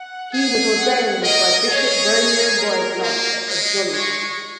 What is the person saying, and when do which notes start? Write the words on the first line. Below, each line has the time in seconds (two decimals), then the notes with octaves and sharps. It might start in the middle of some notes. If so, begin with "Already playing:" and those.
He was ordained by Bishop Romeo Roy Blanchette of Joliet.
Already playing: F#5
0.33 G#4
0.79 F#5
1.23 A#4 D#5
1.68 G#4 C#5
2.14 C#5
2.59 A#4
3.03 A#3
3.48 G#3 D#5
3.93 G#3 C#6